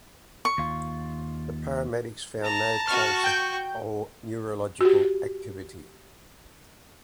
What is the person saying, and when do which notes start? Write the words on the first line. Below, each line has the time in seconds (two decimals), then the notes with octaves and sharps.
The paramedics found no pulse or neurological activity.
0.45 C#6
0.58 D#2 F4
2.44 A5 A#5
2.87 F#4 C#6 F6
3.24 G5 G6
4.81 F#4 G4